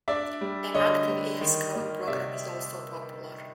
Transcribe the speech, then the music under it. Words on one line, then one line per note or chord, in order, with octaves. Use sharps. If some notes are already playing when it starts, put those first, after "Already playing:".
An active Air Scout program is also popular.
D4 D5 E5
G3
D3 C#5 D#5
G3
D#3
A#3
C3 D5 E5